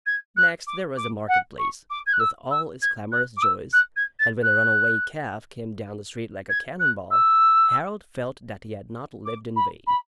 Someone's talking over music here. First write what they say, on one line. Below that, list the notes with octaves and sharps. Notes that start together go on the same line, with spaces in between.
Next there was the market-place, with all its clamorous joys; and when a runaway calf came down the street like a cannon-ball, Harold felt that he had not lived in vain.
G#6
F#6
D6
D6
F#5
C#6
D6
G#6
F#6
E6
E6
G#6
F#6
D6
E6
F#6
G#6
A6
F#6
G#6
F#6
E6
D6
B5
B5